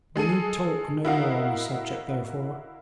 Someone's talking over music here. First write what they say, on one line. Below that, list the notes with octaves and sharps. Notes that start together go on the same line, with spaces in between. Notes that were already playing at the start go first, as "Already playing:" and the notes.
We need talk no more on the subject, therefore.
G#3 G#4 A4 D#7
E4 F#4 A#4 D#5 F5 F#5